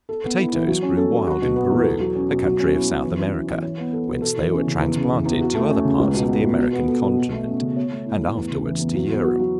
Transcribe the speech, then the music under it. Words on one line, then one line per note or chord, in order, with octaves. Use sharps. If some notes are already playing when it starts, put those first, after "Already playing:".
Potatoes grew wild in Peru, a country of South America; whence they were transplanted to other parts of the American continent, and afterwards to Europe.
A4
B3
E4
E3
F#3
C#4
A4
F#3
F#4
B2
B3
E2
A4
F#3
C#4
B2
F#3
C#4
E4
F#3
E3
C#4
E4
E3
C#5
B3
A4
B2
A4
E3
C#4
C#3
E2
C#3
E3
E2
F#4
A3
C#4
C#3
C#2
B2
B3
C#2
B2
B3
A4
B2
F#4
A3
C#4
C#3
C#5
A3
E4
A2
E2
C#3
E3
E2
F#3
B3
F#4
F#3